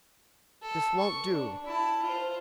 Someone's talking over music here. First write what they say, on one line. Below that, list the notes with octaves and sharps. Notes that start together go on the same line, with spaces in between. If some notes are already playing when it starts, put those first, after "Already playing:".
This won't do.
A4
C#6
D4
E4 A5
F4 C5